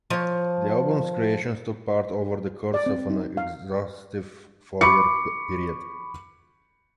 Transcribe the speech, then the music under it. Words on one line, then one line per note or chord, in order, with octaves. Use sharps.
The album's creation took part over the course of an exhaustive four-year period.
F3 C#5
D5
C4
D#4
F5
B5 C#6 D6 C#7